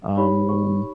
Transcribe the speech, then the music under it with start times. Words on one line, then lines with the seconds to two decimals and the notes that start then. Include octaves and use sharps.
um, when
0.17 D#4 G4 C#5 B5
0.49 C#6